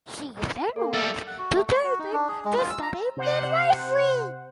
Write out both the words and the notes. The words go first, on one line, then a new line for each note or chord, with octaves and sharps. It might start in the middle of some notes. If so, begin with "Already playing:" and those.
She then went to Durban to study midwifery.
A#3 A4
G3 A4 E5 E6
F#5
F#4
A3
C#6
F#4
D#4
D4
G#4
G#3
F4
E6
A#5
C3 C5 F#5